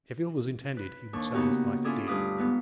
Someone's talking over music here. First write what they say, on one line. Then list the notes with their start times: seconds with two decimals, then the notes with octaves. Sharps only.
If ill was intended, he would sell his life dear.
0.77 B4
1.13 D#2 D4 C#6
1.34 C#3 A#3 B3 D#4 F#4 G4
1.84 C#4 E4 F4 G#4 A4 D5
2.07 D2 G2 B4 F5 D6 D#6
2.38 G#2 B3 D#4